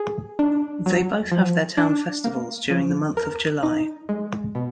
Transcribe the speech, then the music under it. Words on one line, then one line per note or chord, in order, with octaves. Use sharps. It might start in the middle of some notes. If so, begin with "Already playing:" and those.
They both have their town festivals during the month of July.
Already playing: G#4
D4
F#3
F3
D4
A#3
F3
A#4
D#4
G#3
B2